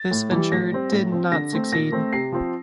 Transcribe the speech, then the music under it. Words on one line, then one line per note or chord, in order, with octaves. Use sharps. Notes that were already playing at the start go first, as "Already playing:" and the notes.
This venture did not succeed.
Already playing: A6
A2
E3 G3
A2 A#6
G3 C4
A2
F3 C4
D3 A#6
A3 C4
A#2 A#6
A3 C4
C3 C7
F3 C4